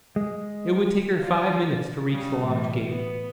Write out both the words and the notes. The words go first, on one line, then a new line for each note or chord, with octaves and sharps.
It would take her five minutes to reach the lodge gate.
G#3
F4 D5
C#3 G3
A2 E3 G3
B3